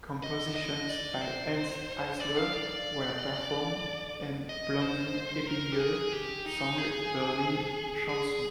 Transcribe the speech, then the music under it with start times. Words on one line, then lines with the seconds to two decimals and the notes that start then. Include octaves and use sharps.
Compositions by Hanns Eisler were performed, and Blandine Ebinger sang Berlin chansons.
0.23 D#5
0.56 D#5
0.89 D5
1.21 C5
2.20 D5
2.37 F5
2.53 D5
2.69 D5
4.49 D#5
4.82 C5
5.47 A#4
5.72 G4
5.79 G#4
6.13 G4
6.46 D#4
6.78 G#4
8.09 G#4